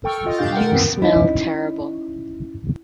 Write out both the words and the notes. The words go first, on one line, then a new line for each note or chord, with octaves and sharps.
You smell terrible.
A4 G5 C#6 F6
F4 D#5
B2 D4 G4 F5 G6 A6
A#4 F#5 G5
F#2 D#3 E3 B3 C4
C#4 D#4 E4